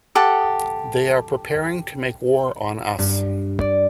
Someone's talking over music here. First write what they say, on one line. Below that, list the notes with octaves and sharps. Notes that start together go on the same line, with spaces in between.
They are preparing to make war on us.
G4 A4 F#5
G2
D5